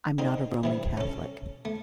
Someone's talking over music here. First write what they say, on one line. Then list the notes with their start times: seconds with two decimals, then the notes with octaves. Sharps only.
I'm not a Roman Catholic.
0.18 D3 C4 D#4
0.63 G2 C3 E3
0.97 C#4 A4
1.65 A3